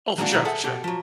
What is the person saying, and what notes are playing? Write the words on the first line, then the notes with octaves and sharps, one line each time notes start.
Oh, for sure, for sure.
F#3 G#3 A#3 D4 F#4
B2 D3 D#3 F3 F#3 E4
G#4 A4 E5 F#5
B2 G4 A4
F3 F#3